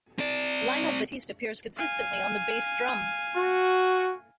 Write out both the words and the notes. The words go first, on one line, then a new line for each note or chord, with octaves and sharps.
Lionel Batiste appears consistently on the bass drum.
C4 D5
F5 G#5
F#4